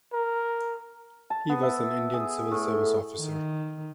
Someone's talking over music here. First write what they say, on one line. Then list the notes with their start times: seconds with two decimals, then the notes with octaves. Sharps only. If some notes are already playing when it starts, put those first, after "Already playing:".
He was an Indian Civil Service officer.
0.13 A#4
1.30 A5
1.49 B3
1.63 E5
2.14 G#4
2.52 A2
3.19 D#3